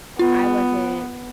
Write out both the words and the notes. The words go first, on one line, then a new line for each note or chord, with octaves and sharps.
I wasn't
B3 F4